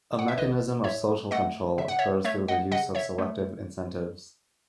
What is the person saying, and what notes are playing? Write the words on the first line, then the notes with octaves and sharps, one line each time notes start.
A mechanism of social control occurs through the use of selective incentives.
F#5
E5
A1 B4 D#5
A2 C#5 E5
A3 D#5 F#5
C#3 E5
F#5
C#5 E5
A3 C#5 E5
D#5 F#5
C#3 D#5 F#5
C#5 E5
A3